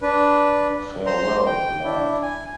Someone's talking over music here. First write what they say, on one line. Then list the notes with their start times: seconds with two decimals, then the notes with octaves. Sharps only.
Farewell Love!
0.01 D4 B4
1.06 C5 A#5 C6
1.46 G5
1.84 D4 E4
2.22 G#5